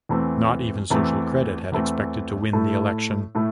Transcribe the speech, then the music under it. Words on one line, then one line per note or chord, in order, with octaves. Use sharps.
Not even Social Credit had expected to win the election.
E2 E3 A3 C4
E2 E3 A3 C4
E2 E3 A3 C4
A2 A3 E4 A4
A2 A3 E4